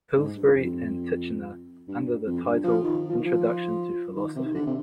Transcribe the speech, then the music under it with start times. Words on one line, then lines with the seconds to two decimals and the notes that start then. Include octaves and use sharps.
Pillsbury and Titchener under the title Introduction to Philosophy.
0.17 G#2
0.36 G2
0.55 F2
1.88 G2
2.26 F2
2.45 G2
2.64 F3
2.84 D#3
3.09 F3
3.18 D#3
3.26 F3
4.16 D#3
4.36 C3
4.45 D#3
4.55 D3
4.67 C3